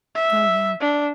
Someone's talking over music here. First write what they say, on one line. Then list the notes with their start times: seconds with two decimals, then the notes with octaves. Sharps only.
Oh, yeah.
0.15 E5
0.81 D4